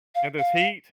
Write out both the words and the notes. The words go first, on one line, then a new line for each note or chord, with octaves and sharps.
In this heat?
F5
F5